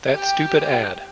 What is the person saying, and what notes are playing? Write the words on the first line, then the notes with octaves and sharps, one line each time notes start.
That stupid ad.
G4 G5